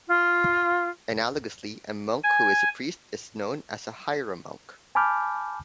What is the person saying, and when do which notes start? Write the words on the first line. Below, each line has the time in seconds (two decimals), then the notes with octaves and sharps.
Analogously, a monk who is a priest is known as a hieromonk.
0.08 F4
2.24 G#5
4.95 G#5 A5 B5 D6 F6 G6